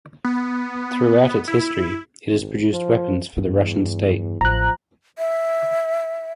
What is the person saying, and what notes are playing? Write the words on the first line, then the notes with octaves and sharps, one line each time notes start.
Throughout its history, it has produced weapons for the Russian state.
B3
E4
G#1
F3
E2 G2
A1 F3 A#5 F#6
E5